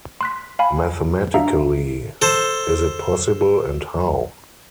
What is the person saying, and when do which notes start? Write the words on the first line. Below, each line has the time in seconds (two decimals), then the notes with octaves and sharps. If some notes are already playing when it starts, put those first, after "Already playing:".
Mathematically, is it possible and how?
0.21 C6 F#6 B6
0.59 F5 G#5 B5
1.34 D4 E5 F5 A#5
2.22 A4 C5